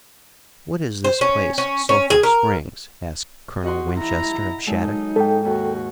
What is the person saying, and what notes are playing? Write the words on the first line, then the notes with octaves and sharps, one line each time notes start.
"What is this place, Sulphur Springs?" asked Colonel Winchester of Shattuck.
C5
C#4
C#4
C#4
G#4
A#4
F#4 D#5 F#5 C6
E4 A#5
F#3 G#3 D#4 A4
G#2 A4 G5
D#2 F#4